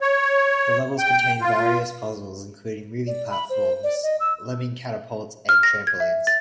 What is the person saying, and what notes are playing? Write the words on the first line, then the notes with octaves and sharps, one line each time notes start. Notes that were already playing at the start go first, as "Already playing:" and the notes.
The levels contain various puzzles including moving platforms, lemming catapults, and trampolines.
C#5
G5
F4
D5
B5
C5
D5
D#5
E6
F6
A#6
G#6
E5
A6